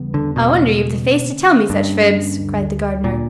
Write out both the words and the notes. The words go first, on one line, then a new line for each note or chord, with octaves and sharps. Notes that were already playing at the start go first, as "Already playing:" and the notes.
"I wonder you've the face to tell me such fibs!" cried the Gardener.
Already playing: E2 C#3 G3 B3
D3
B2
D3 A#3 C#4
G2
D2 D3 G3
A#2